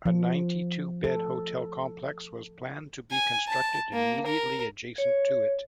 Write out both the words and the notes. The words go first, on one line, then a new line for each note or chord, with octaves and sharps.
A ninety-two bed hotel complex was planned to be constructed immediately adjacent to it.
F3
A4
G#5
A5
A#3
A#4
C#5